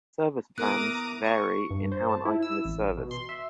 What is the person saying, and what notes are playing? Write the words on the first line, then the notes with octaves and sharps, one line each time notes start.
Service plans vary in how an item is serviced.
B3 E4 A#4 A#5 D6 D#6 F#6
C#6
G2
C5
A5
E4
E6
A1
B2
C6
E5